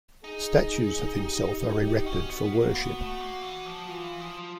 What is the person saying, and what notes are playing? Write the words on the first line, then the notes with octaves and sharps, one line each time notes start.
Statues of himself are erected for worship.
D#4 G#4
G4
C#4 F#4
B3
A#3
B3
A3
A#3
E3
F3
E3 F4
F3